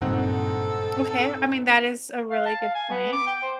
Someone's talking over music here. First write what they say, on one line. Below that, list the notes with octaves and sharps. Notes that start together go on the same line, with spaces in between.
Okay. I mean, that is a really good point.
F#1 G2 A#2 C4 D#4 A4 F#5
F5
A5
F5
G#5
B3
D6
G5
C5